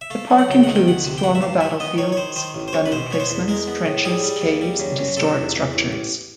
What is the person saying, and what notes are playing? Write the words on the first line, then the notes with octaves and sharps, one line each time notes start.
The park includes former battlefields, gun emplacements, trenches, caves, and historic structures.
E5
A3 F5
F#3
F#5
C#2 G5
D#3 F#5
G5
D2 F#5
C3
G5
G2 F#5
E5
G2 F5
D#3 E5
B3 D#5
D#3 C#5
C#5
D#3 C5
D#3 C5
A1
C5
A1 C#5
B4
B2 C5
B3 C#5
C5
E2
G#3 A#4
B3
A2
G3 G#4
G3
D#2
G3
F#2
F#2
C3 A4
E2
E2
A1
A1